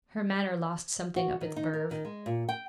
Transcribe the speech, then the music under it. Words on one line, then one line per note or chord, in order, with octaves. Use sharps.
Her manner lost something of its verve.
F#4
D#3
D#4
A#4
D#3
G#3
A#2
G5